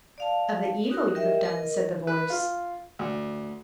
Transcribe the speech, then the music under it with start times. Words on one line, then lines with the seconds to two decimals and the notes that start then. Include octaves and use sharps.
"Of the evil you have done," said the voice.
0.18 D5 F5 A5
0.90 D#4 F#4 G4 A#4
1.15 G4 A#4 D#5 E5 G5
1.43 A#4 D#5
2.07 B4
2.30 F4
2.99 D2